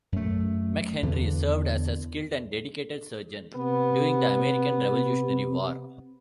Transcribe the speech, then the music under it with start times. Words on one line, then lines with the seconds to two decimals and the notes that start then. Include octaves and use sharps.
McHenry served as a skilled and dedicated surgeon during the American Revolutionary War.
0.12 F#2 A3
1.03 E2 D3
3.56 C3 B3